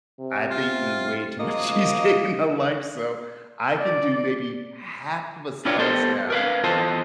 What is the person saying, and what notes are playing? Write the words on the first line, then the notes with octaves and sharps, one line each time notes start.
I've eaten way too much cheesecake in my life, so I can do maybe half of a slice now,
C3
F4
F#2 F3 G#3 A#3 D#5
D5
D4 E4 F4 G4 C#5 D5
B3 G4 A4 C5
A#4 B4 F5
E2 F4 A4 C5 D#5 A5